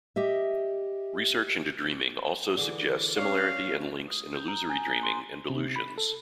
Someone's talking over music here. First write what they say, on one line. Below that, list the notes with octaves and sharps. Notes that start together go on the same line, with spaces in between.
Research into dreaming also suggests similarity and links in illusory dreaming and delusions.
G4 D#5 E5
D3 E3 G#4
C#4 C#5 D5 F5
D#6
G6
A#5
G#5
F#6
C6
C3
B5
A4